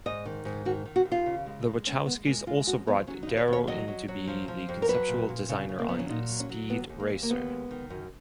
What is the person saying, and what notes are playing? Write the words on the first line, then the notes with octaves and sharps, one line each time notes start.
The Wachowskis also brought Darrow in to be the conceptual designer on "Speed Racer".
G#2 D#5
D#3
G#2
D#3 F#4
D#3
F#4
D#2
F4
C#3
G#3
G#3
G#3 C#4
G#3 B3
G#3 A#3
G#3 F4
F#2 F#4
F3 B3
F#3 C#4
D#4
D#2
C#5
D#2
C#5
F#3 D#5
F#3
F#3
F3
F3
F2
A#4
F#3 B4
A#2
A#2
C#3
C#3
A#3
F#3 B3
C#4
A#2 D#4
F#3
C#4
F#3
D#2 B3
D#2
A#3
D#2
A#3
D#2 B3
G#3
D#3
F#2